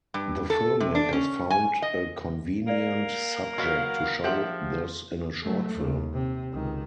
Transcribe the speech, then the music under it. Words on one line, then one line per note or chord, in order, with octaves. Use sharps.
The filmmakers found a convenient subject to show this in a short film.
G2
A4
C3
D4
C#4
G#5
D#5
A#3 D5 F5
F#3 B3 D#5 F5
F3 G4 G#4 E5 F#5 C6
F#3 A3
D#2
C3
C#2 D#3